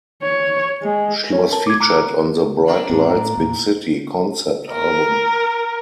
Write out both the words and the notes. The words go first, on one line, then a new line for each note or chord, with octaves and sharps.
She was featured on the "Bright Lights, Big City" concept album.
C#5
G#3
C#4 C#5
A#4 A5
D6 G#6
A#5 D6 F6 F#6
A#3 D4 A#4
G#2 C4
A2
E2 A#2
A#4